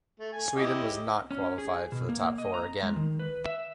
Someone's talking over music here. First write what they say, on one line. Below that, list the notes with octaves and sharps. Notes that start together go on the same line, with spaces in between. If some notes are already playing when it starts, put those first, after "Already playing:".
Sweden was not qualified for the top four again.
A3
G#5
E4 G4 D#5
C#4
G#4
B2
A#3
D#5
A#5
G#3
D#3
B4
E5